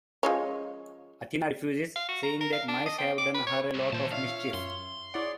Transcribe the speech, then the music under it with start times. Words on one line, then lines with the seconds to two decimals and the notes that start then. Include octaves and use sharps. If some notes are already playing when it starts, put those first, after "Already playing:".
Athena refuses, saying that mice have done her a lot of mischief.
0.23 F3 G#3 C#4
1.96 F5
2.08 F#4
2.23 A#5
2.41 A#4
2.53 F5
2.68 D4
2.86 D#5
2.98 C4
3.18 D6
3.35 B4
3.47 C#5
3.74 C2 A2
3.93 A#2 D#3 C5 A5
4.12 D4 F4 C#5 E5 F5
4.54 F#2 C6
5.14 E4 G#4 C#5 D5 F#5